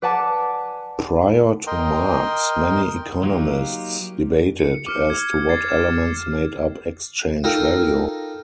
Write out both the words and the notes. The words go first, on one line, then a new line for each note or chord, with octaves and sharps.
Prior to Marx, many economists debated as to what elements made up exchange value.
B4 D5 F#5 G#5 A5 D6
A#4 D#5 G5 C6
F#3 A#3 D#4 F4 G4
C#7
D6 F6 C#7
G#6
G#6 A6 C7
E7
D#4 F4 A4 A#4 G5